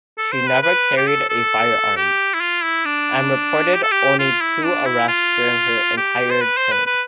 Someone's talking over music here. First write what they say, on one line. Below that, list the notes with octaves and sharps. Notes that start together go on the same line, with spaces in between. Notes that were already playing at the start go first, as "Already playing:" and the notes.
She never carried a firearm, and reported only two arrests during her entire term.
A4
C5
B4
B4
G4
A4
A4
G4
E4
F4
E4
D4
G4
A4
G4
F4
E4
D4
E4
F4
G4
C5
B4
C5
B4
B4